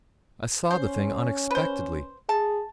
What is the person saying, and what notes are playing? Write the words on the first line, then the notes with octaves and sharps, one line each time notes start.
I saw the thing unexpectedly.
C#4 C5
B4 C5
G#4 A5